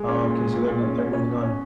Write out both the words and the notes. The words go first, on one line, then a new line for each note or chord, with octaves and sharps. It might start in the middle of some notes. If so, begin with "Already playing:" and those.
Okay, so they're n they're moving on.
Already playing: G#3
C#4
A#2
G#3
A#2
A#2
C#4
C#4
C#4
B2
C#4